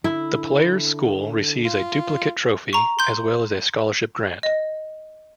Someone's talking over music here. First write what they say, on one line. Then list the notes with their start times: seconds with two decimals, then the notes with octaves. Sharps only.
The player's school receives a duplicate trophy, as well as a scholarship grant.
0.04 D3 E4
1.65 F4
2.73 A#5 C#6
2.99 C6 G6
4.43 D#5